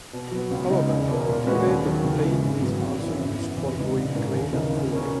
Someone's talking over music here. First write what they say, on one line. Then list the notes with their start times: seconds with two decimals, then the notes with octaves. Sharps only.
However today the plain is also used for growing grain and fruit.
0.13 B2
0.31 F#3 B3
0.51 C#2
0.70 C#3 G#3 D#4
0.90 E1
1.08 E2 B2 A#3
1.27 A#2
1.47 G#3 C#4 F#4 B4
1.66 D#2
1.85 D#3 F#3
2.04 C#3
2.23 E3 G#3
2.43 G#1
2.62 G#2 D#3 F#3 B3
2.81 G#1
2.99 F#2 E3 B3
3.19 F#2
3.38 E3 B3
3.57 E2
3.76 C#3 G#3 B3 D#4
3.96 A#1
4.15 G#2 E3 A#3 C#4
4.33 D#2
4.53 C#3 E3 A#3 D#4
4.72 C#2
4.91 B2 A#3 C#4